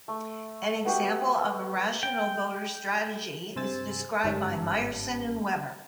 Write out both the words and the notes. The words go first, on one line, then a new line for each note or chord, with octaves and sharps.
An example of a rational voter strategy is described by Myerson and Weber.
A3
B3 F#4 G4
G5
G2 C3 C5 G#5 E6 A6
G1 G#2 D#3 G3 C#4 A5